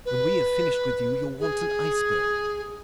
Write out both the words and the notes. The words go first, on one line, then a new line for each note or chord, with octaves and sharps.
When we have finished with you, you'll want an iceberg.
B4
G#4